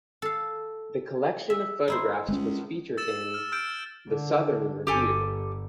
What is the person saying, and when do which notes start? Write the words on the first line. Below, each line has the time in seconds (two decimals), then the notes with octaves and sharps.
The collection of photographs was featured in "The Southern Review".
0.22 A4 F5
1.50 E5
1.88 D#4 E4 C5
2.28 G#3 A#3 C#4
2.97 E6 A6 E7
3.34 F6
3.52 E6 F6 G6 D7
4.08 D3
4.87 G1 G4 A4 G#5